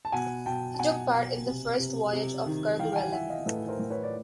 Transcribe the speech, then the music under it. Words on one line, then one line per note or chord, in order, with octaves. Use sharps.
He took part in the First voyage of Kerguelen.
A5
B2 F#5 G#5
B2 G5 A5
A5
B2 F#5 G#5
B2
C3
C3
C3
D#3
E3 F5 G5
G5
F#5 G#5
E3 E5 F#5
D#5 F5
A2 A4 B4
A#4 C5
A2
B4 C#5
D5